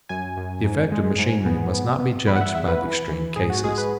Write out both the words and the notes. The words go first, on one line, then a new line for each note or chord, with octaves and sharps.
The effect of machinery must not be judged by the extreme cases.
F#2 G#5
F#2
G#2
G#3
G#2
B3
B3
B3
E2 B5
F#5
E5
E2 E5
B4
E3
E3
G#2 G#4
F#4
G#3 G#4
B4